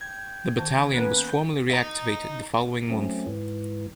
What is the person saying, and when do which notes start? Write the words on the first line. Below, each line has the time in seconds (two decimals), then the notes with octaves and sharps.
The Battalion was formally reactivated the following month.
0.01 G5 G#6
0.59 D#3 A5
0.94 A#3 B3 C#4 B4
1.18 G6
1.71 D#5 A#5
2.90 F#3 A3 C4 C#4
3.26 G#2 E3